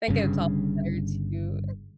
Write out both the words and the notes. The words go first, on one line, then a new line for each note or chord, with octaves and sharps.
I think it's all better to
G1 G2 C#3